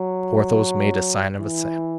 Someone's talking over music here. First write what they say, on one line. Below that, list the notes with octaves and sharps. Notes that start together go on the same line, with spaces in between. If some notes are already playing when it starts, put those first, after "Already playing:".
Porthos made a sign of assent.
Already playing: F#3
E3